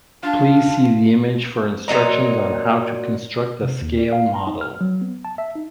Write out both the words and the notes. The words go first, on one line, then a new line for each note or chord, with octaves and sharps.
Please see the image for instructions on how to construct a scale model.
D4 F4
A#2 F#3 D#4 A#5
C3
D#2
D5
F5
A#5
D#4
F6
F#3
B3
A5
E5
D#4